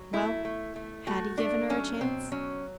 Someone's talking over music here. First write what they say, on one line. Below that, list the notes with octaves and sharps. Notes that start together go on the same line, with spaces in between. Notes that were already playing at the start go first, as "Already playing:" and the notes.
Well, had he given her a chance?
Already playing: F#3
A3 E4
A3
A3
A3 F#4
A3 D4
F#3 C#4
B2 C4
F#3 C#4